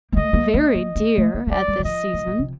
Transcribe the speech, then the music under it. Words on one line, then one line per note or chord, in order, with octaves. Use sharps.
"Very dear at this season."
A#3
A3 D#5
A#3
A#3 D#5
A#3
A#3
A3
A#3
A#3
A3 D5
G3
D#3
F3 D#5
A2
A#2
C3